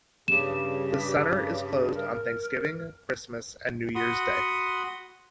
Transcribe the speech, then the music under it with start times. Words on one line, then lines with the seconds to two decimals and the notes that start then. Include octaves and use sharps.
The center is closed on Thanksgiving, Christmas and New Years Day.
0.28 G2 C#3 G4 E7
1.94 A#4
3.95 F#4 F#5 B5 C6 D#6